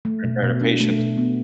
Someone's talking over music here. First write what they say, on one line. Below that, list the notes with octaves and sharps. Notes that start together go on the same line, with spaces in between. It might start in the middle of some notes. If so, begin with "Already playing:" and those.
prepare the patients.
A3
B2
B2
D4
A3
B2
B3